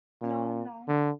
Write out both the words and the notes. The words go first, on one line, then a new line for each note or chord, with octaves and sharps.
Law no.
A#2
D3